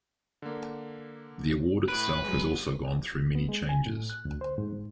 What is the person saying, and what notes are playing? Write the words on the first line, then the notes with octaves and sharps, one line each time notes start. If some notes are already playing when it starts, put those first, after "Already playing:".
The award itself has also gone through many changes.
D3 A#3
A2 B4 D7 D#7
F#3 G#3
B3
G#3
G#5
A2
F#6
D2
C5
G#2